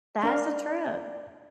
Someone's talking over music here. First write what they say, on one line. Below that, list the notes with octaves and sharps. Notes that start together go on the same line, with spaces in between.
That's a trip.
D4 A#4 D5 F5